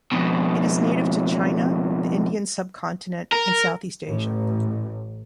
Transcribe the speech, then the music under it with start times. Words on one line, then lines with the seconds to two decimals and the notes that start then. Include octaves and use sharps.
It is native to China, the Indian Subcontinent, and Southeast Asia.
0.12 F2 B2
3.32 A#4
4.07 A1